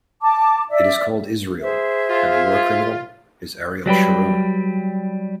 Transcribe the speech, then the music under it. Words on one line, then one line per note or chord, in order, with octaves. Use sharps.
It is called Israel, and the war criminal is Ariel Sharon.
A5 D6
D5 E5
G#4 C5 E5
F4
F#3 G3 G4 B4